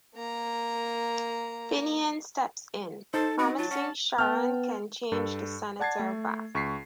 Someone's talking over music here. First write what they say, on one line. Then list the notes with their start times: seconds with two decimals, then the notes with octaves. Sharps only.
Finian steps in, promising Sharon can change the Senator back.
0.14 A#3 A#5
3.14 D#4 A4 C5 A5
3.39 C4 F#4 D#5
3.58 F#3 F4 A5
3.71 C#4 F#5
4.18 B3 G5 A5 F6
5.12 G2 A4
5.80 D5 F#5 A5 G#6 A6 C7
5.99 A3
6.55 C#2 C#6 B6 C7